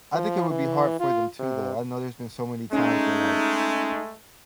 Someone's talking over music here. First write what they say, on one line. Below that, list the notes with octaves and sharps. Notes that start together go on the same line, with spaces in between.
I think it would be hard for them too, though, I know there's been so many times where, like,
F3
E3
F4
C3
G#3 A3 C#4 D#4